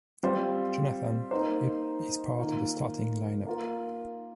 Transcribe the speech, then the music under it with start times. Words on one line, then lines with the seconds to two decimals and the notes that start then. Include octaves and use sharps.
Jonathan is part of the starting lineup.
0.23 G3 C4 F4 C5
1.31 A#3 D#4 C5
2.38 D#3 A#3 F4
3.47 A#3 F4 A#4